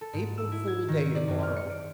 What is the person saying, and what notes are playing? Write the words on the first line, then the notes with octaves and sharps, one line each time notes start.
April fool day tomorrow.
A4
G#2
E6
E4
G#6
D#3
D5
F#2
F6
C#7
D7